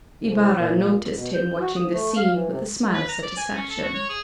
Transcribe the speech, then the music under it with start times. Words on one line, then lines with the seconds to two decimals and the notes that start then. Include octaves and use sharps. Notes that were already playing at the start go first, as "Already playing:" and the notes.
Ibarra noticed him watching the scene with a smile of satisfaction.
0.24 C2
0.59 A#2
1.15 B2
1.35 G6
1.61 F#4
1.77 D#6
1.92 A3
2.17 F5
2.31 E3
2.49 C3
2.94 B4
3.09 A#5
3.23 D5
3.37 G#5
3.56 C#4
3.70 A4
3.83 F#4
3.95 C#5
4.09 G#4